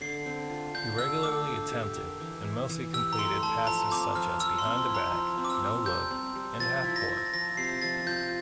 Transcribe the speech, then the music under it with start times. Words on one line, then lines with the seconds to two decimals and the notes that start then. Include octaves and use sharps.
He regularly attempted, and mostly completed passes such as behind-the back, no-look and half-court.
0.01 D3 C7
0.26 C4
0.50 F4
0.75 D3 G6
0.99 D4 E6
1.23 A3 D6
1.47 D4
1.72 G4
1.96 A#4
2.20 E3
2.44 E4
2.69 E3
2.93 G4 E6
3.13 A#5
3.19 A3 C6
3.43 A3 A5
3.67 F3 A#5
3.91 C4 D6
4.15 F3 F6
4.40 F3 E6
4.58 C6
4.65 C4
4.77 C6
4.89 E4
4.95 A#5
5.13 F3
5.38 C4
5.45 D6
5.50 E6
5.62 C4
5.86 G3 G6
6.11 C4
6.35 G3
6.60 F3 A6
6.84 E4
6.96 A#6
7.09 E4
7.33 F3 A#6
7.57 C3 C7
7.82 F3 A6
8.06 F4 G6